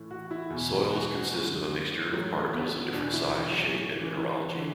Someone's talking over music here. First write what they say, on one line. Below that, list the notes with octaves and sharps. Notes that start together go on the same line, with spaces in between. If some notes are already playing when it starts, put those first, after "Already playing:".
Soils consist of a mixture of particles of different size, shape and mineralogy.
Already playing: A2 E3
F#4
E4
E2 B2
F#4
F#2 D3
A2 E3 F#3
A3
B3
E2 B2 D4
E4
F#3
F#3
A2 E3
E3
E3
D3